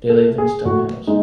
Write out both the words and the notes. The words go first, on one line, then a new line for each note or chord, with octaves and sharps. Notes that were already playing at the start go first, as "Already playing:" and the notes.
They live in Stonehouse.
A4
A3
G#4
A2 F#4
G#3 D#4